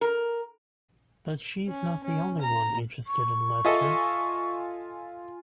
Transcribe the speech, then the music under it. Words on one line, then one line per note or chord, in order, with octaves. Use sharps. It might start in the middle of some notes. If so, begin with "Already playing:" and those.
But she's not the only one interested in Lester.
A#4
C#4
C#4
A#5
C#6
F4 A4 D#5 E5 G#5